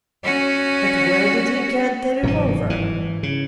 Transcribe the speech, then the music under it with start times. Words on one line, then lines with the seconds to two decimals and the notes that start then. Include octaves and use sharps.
But where did you get the revolver?
0.24 C#4 F#4
2.23 G1 G#2 C3 E3 F#3
2.70 E3
3.23 C#3